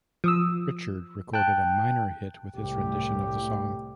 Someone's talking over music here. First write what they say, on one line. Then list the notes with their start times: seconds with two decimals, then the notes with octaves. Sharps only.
Richard recorded a minor hit with his rendition of the song.
0.24 F3 D#6 E6
1.34 G5 A5 F#6
2.56 C2 A2 G4